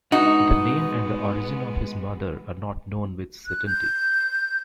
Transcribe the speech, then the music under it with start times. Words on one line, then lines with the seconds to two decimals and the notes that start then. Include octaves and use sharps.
The name and the origin of his mother are not known with certainty.
0.12 G#3 B3 D#4 F#4
3.46 F#6
3.66 G6